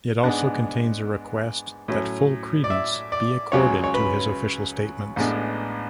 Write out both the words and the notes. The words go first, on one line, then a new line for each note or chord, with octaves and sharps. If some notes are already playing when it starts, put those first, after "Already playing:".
It also contains a request that full credence be accorded to his official statements.
G#2 G#3 B3 D4 F#5
A2 F#3 C#4
D5
E5
D5
C#2 C#3 F#3 C#5
C#5
B4
A1 A2 G#3 B3 D4